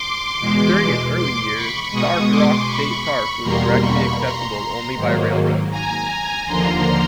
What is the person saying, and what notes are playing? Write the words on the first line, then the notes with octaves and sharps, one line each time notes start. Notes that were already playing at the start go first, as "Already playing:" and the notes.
During its early years, Starved Rock State Park was directly accessible only by railroad.
Already playing: C6 D6
E2 B2 G#3
C6 D6
B5 C#6
B2 G#3 C#6 D#6
C6 D6
B5 C#6
E2 B2 G3 A#3 A#5 C6
B5 C#6
A#5 C6
G#2 D#3 F#3 A#3
G#5 A#5
D#2 D3 F3 A#3 A#5 C6